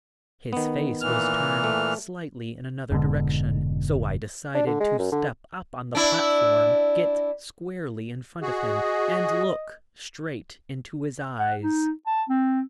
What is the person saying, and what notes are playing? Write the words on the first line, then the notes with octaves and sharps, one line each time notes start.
His face was turned slightly in another direction, so I decided to step up on the platform, get squarely in front of him and look straight into his eyes.
D#3 B3
A#2 E3 F6
A3
F1 G#2 B2 D3
D4
D3
G#3
F#2
D3
D4 E4
F#4 G#4 D#5
F#5
D#4
A5
C4